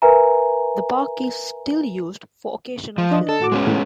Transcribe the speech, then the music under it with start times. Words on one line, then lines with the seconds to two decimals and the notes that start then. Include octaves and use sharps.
The park is still used for occasional filming.
0.02 A#4 B4 E5 G#5 A#5
2.98 F3
3.11 D4 D#5
3.29 A4
3.40 A2 F#4 D6
3.52 G#3 B3 C#4
3.65 A2 E3